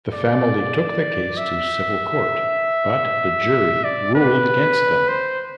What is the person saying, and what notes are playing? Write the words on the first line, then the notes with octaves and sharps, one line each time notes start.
The family took the case to civil court but the jury ruled against them.
D5
E5
D5
B4
C5